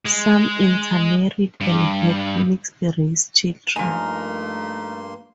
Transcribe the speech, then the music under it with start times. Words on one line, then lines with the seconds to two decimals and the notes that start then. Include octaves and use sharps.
Some intermarried and had mixed-race children.
0.05 G#3
1.61 G2
3.76 G2 F3 A3 A#3 D#4 A#4 G#5 C6